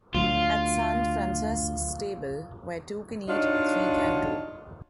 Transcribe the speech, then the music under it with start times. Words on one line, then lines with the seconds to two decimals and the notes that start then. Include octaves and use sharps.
At Sant Francesc’s table, where two can eat, three can too.
0.14 D2 F#3 F4
3.28 D4 D#4 F4 F#4 C#5